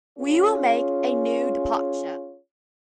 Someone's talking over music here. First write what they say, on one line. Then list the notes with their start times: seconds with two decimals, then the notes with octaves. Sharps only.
We will make a new departure.
0.18 C#4 F4 G#4 C#5